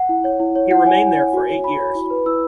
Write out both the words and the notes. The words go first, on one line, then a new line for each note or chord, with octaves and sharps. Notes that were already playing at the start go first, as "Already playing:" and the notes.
He remained there for eight years.
Already playing: F#5
E4
C#5
E4
C#5
E4 F#5
C#5 G#5
E4
C#5
F#4
C#5
F#4 B5
C#5
E4
B4
E4 E6